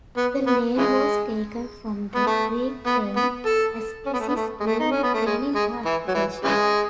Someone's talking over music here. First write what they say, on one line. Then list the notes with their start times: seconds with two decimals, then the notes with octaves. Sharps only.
The name was taken from the Greek term "Askesis", meaning 'training' or 'application'.
0.17 B3
0.47 B3
0.78 C#3 E3 G#3
2.15 B3
2.26 A3
2.87 B3
3.16 B3
3.46 A4
4.06 C#4
4.13 B3
4.20 A3
4.28 B3
4.36 A3
4.60 G#3
4.66 A3
4.80 D#4
4.91 C#4
5.03 B3
5.14 A3
5.26 G#3
5.55 G#3
5.86 E3
6.08 F#3
6.15 E3
6.45 C#3 E3 G#3